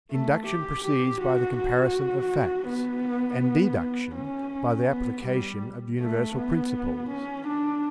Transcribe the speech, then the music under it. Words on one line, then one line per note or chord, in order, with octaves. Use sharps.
Induction proceeds by the comparison of facts, and deduction by the application of universal principles.
A3
G4
G4
F#4
F#4
B3
B3
C#4
B3
G3
A3
B3
C#4
D4